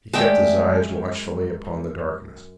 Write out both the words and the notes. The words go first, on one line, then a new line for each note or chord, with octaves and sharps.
He kept his eyes watchfully upon the darkness.
D#2 G#3 A3 D4 E5 G5
F#2